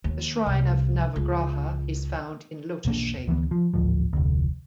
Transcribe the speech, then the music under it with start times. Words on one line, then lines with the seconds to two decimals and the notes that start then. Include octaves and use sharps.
The shrine of Navagraha is found in lotus shape.
0.04 D#2
0.46 C2
1.16 C#2
2.85 B1 E2 A#3 D4
3.27 D2 E3 F3 B3
3.51 F3
3.74 A1 D2 G#2 F3
4.13 F1 D2